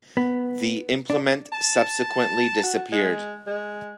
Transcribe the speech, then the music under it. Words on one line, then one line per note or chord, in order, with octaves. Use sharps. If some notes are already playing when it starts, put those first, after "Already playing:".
The implement subsequently disappeared.
B3
D4
A5
F#4
G#3
G#3